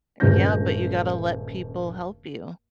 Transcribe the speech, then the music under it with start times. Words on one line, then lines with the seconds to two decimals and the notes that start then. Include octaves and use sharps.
yeah, but you gotta let people help you.
0.20 D#1 G2 G#3 C#4 G6 A#6